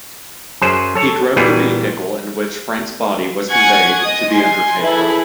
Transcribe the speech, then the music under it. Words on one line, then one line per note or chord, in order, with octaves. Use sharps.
He drove the vehicle in which Frank's body was conveyed to the undertaker.
F#2 F#3 G#4 C5
A4 C#5
A#2 E3 F#3 G3 B3 G#4
F#5 G#5 C#6 G#6
D#5 D#6
G#5 C6
E4 G#4 A4 B4